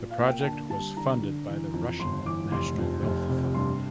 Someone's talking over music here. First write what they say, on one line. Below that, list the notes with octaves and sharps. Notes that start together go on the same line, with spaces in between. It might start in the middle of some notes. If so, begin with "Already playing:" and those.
The project was funded by the Russian National Wealth Fund.
Already playing: A#2
F5
A#3
G5
G5
D3 A5
G3 A5
D3 A#5
D3
E3
F2
G1 C6
E3 D6
F1 C6
F2
F1
C3
G2 C6